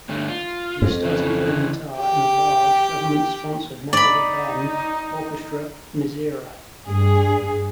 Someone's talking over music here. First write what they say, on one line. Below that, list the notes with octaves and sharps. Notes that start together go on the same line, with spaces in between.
He started playing guitar in a large, government-sponsored neighborhood band, Orchestre Misira.
G2 D3 A3
F4
F2
C#3 E3
G4 G5
D#4 D5 B5
G2 G#4